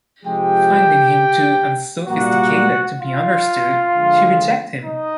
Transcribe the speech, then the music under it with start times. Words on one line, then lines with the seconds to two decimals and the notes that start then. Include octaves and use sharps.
Finding him too unsophisticated to be understood, she reject him.
0.23 C3 F3 G#3 G4 G5
2.08 A#2 G3 A#3 F#4 F#5
3.00 F4 F5
3.93 D3 F3 G#3
4.84 D#4 D#5